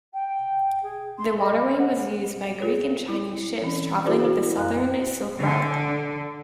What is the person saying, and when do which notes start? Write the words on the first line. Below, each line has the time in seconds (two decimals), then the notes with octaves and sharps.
The waterway was used by Greek and Chinese ships travelling the southern Silk Route.
0.13 G5
0.82 G#4
1.17 C6
1.38 D#5
1.78 F#5
2.60 F4 G#4 A#4 C#5
3.08 E4
3.62 E3 C4 C#4
4.05 E4 F#4 G#4 A#4 C5 D5
4.24 E4 F#4 A#4
4.57 F#2 F5 A#5 F#6
5.39 D3